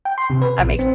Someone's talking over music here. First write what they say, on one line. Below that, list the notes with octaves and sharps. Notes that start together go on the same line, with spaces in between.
That makes
G5
C6
C3
B4
A#1
C4